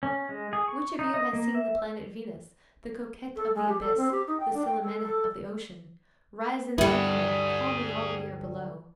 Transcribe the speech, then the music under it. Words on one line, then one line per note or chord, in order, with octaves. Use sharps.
Which of you has seen the planet Venus, the coquette of the abyss, the Celimene of the ocean, rise in the infinite, calming all here below?
C#4
G#3
G#4
C#6
D#4
D#5
A#3
E5
A4
G#3
G4
A4
C4
G4
D#4
G5
D4
G5
A4
A4
D2 G2 G3 E4 G4 G#4 F#5